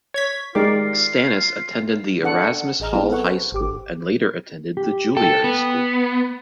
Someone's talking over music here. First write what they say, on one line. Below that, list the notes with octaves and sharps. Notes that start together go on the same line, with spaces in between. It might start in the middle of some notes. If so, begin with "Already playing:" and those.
Stanis attended Erasmus Hall High School and later attended the Juilliard School.
C#5 G#6 B6
D#3 G#3 F4 G4 A#4 D5 D6
D4 A4 F#5
A1 G#4 D#5 A#5 F6
F#3 B3 C4 E4
A4 B4 F#5 C#6
C5
G#1 G4 D6
G4
A4 G5
B3